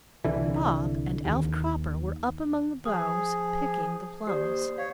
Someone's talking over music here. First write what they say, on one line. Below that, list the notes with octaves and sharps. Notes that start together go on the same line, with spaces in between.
Bob and Alf Cropper were up among the boughs picking the plums.
C2 D3 E3
D#2
F3 G#4 D#6
D#2 G4 C5 D5 D#6
C#5 F5